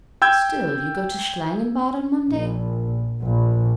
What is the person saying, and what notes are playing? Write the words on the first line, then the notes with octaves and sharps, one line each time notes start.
'Still, you go to Schlangenbad on Monday?'
G5 E6 G6 G#6
A#1
A#1